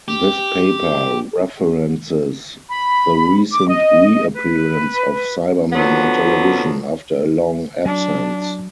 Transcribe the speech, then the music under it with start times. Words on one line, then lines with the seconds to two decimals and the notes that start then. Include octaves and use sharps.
This paper references the recent reappearance of Cybermen on television after a long absence.
0.08 G4
2.69 B5
3.52 D6
3.69 D#5
4.34 B4
5.73 D3 F3 F#3 B3
7.85 F#3 D4